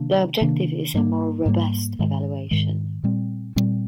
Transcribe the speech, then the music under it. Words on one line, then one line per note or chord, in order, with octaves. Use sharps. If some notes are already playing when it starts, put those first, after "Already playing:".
The objective is a more robust evaluation.
Already playing: C3 D#3 A#3 D4
C3 D#3 A#3 D4
G#2 G3 A#3
G#2 G3 A#3
G#2 D#3 G#3
G#2 D#3 G#3
A#2 G3 C4
A#2 G3 C4